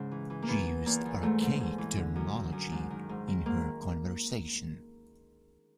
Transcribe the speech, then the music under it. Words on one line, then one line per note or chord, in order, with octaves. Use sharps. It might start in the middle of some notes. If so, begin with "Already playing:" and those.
She used archaic terminology in her conversation.
Already playing: G#2 C#3 C#4
E3
E3
A#3
E3 B3
E3
E2 A#3
E2
G#2 A3
G#2
G#2
E3
D3
F#2
F#2
F#2
G#2
D#3
G#2
D#3
G#2 A#3